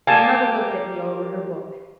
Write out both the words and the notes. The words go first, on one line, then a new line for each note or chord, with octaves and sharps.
My mother looked at me over her book.
G3 A#3 G4 G#5 A5